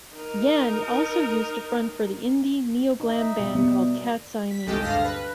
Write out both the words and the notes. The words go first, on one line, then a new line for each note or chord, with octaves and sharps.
Yan also used to front for the indie neo-glam band called Cat Siamese.
D#4 A#4
D#4
E5
B2 G3
B3
B6
G1 C2 G#3 G4 A4 D#5
D2 G2 A4 F5 A#6
B4